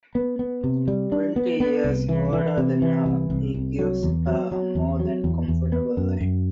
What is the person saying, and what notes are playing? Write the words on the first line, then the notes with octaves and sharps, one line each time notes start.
Twenty years older than her, he gives her a more than comfortable life.
B3
B3
C3
G3
D4
B3
B3
C2
E3
E3
C3
E3
C2
C2
C2
F#3
E2
F#3
F#3
E2
F#3
E2
E2
B3
F#2
F#2